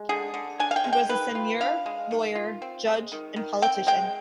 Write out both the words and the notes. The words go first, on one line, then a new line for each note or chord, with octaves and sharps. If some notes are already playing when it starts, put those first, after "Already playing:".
He was a seigneur, lawyer, judge and politician.
Already playing: G#3
D3 G#4
D3
D4 G#5
F5
G5
G#3
G5
D#3 B4
F4
D4 F5
G#3
D#3
F4
C4
G#3
D#3
D#3
C4 G5
G#3 G5